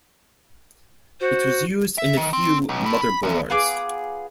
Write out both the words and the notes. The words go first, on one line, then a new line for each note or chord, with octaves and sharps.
It was used in a few motherboards.
F#4 C5
E5
D#3
C4
B1
A2
B5
E2
B3 F4 G#4 D6